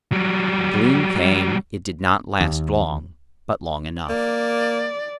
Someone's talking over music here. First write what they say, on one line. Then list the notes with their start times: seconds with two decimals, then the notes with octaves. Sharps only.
The gleam came; it did not last long, but long enough.
0.12 F#3 G3
2.41 D#2
4.09 A#3 D5